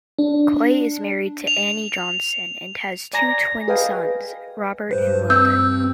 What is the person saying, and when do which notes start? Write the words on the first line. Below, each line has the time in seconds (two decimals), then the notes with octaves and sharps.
Clay is married to Anne Johnson and has two twin sons, Robert and Weldon.
0.18 D4
1.47 F7
3.13 D5 G#5 A#5 A#6
3.68 G#4 B4 D#5 F5 G5 G#5
4.91 G2 B4 C5
5.30 C4 E6 G6